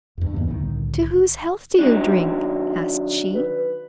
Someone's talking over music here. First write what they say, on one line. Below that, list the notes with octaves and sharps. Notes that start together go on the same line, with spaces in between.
'To whose health do you drink?' asked she.
E2 G2
D#2 D#3 E3 B3
C2 A2 D3 D#3
D#3 F#3 D4
B4